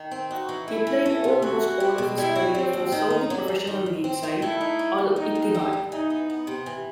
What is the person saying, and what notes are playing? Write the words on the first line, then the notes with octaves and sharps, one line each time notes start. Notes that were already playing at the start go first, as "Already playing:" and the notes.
He played almost all of his career for Saudi Professional League side Al Ittihad.
Already playing: D#3
C4
D#4 F#4
E3
A3 E4
E3
A3
C3
E3 F#4
E4
C4
B2
G3 E4
F#4
G3 C4
D#2
D#3
D#4
F#3
F#2
D#3
F#2
C4
D#3
A3 E4
D#4
A3
D#2
D#3 D#4
D#2
G3
G2
E3 D#4
B3
B3
C3
E3